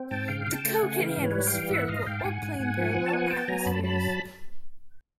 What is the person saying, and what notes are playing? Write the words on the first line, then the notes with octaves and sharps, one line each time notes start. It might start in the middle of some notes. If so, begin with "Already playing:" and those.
The code can handle spherical or plane-parallel atmospheres.
Already playing: C4
G#2 G5 A5
C#3 F5 G5
C#3
G5 A5
A3
F#5 G#5
C#3
E3 F5 G5
G#2
B4 C#5
G3
F5 G5
E3
G#2 E5 F#5
G#2 D#5 F5
G#2 F5 G5
A5
G#2 F#5 G#5
G#2
G#2
F3
F3
A5
B3 F#5 G#5
B3 G5 A5
F#3 G#5 A#5
F#2 A5 B5
F#3 A5 B5